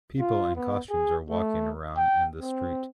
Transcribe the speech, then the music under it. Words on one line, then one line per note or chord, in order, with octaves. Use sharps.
People in costumes are walking around in the street.
F4
B3
G#4
A3
G5
C4